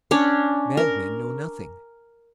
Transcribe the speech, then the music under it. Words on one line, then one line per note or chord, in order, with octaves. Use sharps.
Madmen know nothing.
C#4 D4 C#5 D5
A#4